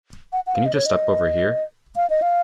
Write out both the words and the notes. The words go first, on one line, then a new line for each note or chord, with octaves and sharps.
Can you just step over here?
F#5
F#5
F5
D#5
C#5
D#5
F5
D#5
F5